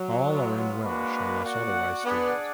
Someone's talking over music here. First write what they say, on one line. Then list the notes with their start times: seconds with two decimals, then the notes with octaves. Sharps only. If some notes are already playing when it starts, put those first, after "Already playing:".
All are in Welsh unless otherwise stated.
Already playing: F#3
0.22 G#3 B3 F4
0.83 G#3 A#3 D4 F#4 B4
1.44 F#4 D5 F#5
2.05 B3 D4 G#4 D5 F#5